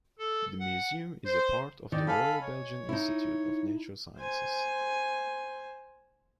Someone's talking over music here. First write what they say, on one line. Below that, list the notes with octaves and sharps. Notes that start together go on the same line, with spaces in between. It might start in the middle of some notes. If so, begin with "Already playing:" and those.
The museum is a part of the Royal Belgian Institute of Natural Sciences.
A4
F#5
C5
D#3 D5
A4 D#5 F5 G#5 B5
C#5
D#4 E4
C5 G#5